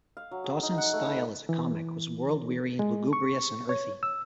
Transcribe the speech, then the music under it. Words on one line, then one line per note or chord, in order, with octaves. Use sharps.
Dawson's style as a comic was world-weary, lugubrious and earthy.
F5
F#3
G#4
D#4
F#5
A3
B4
E3
G#3
C#6
C#5
E6